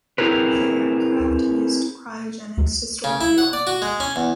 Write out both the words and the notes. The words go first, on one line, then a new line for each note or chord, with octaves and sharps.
The aircraft used cryogenics to store fuel.
C4 E4 G#4 A#4 B4
C#3
E4
F#5
D5
F#4
G#3
C#4
E2